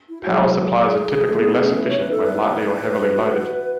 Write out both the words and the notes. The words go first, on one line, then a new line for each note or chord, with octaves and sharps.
Power supplies are typically less efficient when lightly or heavily loaded.
E4
F#3 F#4
G#3 E4
G#4
G#4
A3
B3
B3
C#4
E4 B4
C#5
E4 B4
D#4 A4
E4
B4
F#4